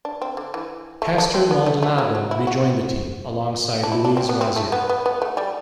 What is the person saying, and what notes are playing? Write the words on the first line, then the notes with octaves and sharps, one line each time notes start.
Pastor Maldonado rejoined the team, alongside Luiz Razia.
D4
C4
D3
E3
A3
D4
C4
B3
A3
A3
F#3
F#3
E4
F#4
D4
E4
D4
C4
B3
C4
A3
B3
B3
B3
A3
G3